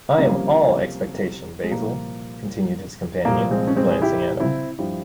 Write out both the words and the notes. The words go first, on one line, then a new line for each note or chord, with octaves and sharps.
"I am all expectation, Basil," continued his companion, glancing at him.
C2 C3 F3 A#3 C#4
G#3
C2 A#2 F3 A#3
C2 A#2 F3 A#3
G#3 C4
C#4
G#3 C4
G#4
E4 G4
C4 E4
G2 F3 E4 G4